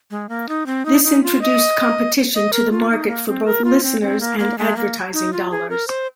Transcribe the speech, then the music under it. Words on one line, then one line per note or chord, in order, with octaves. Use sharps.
This introduced competition to the market for both listeners and advertising dollars.
G#3
A#3
D#4
C4
D#4
D#4
F4
D#5
D#5
A#4
F4
D#4
A#3
C4
A#4
F4
C4
C4
A#3
A#3
G#3
A#3
D#4
F4
G#4
A#4
C5